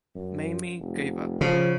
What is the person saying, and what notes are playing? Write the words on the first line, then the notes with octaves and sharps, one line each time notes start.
Mamie gave up.
F#2
F1
C#3 F3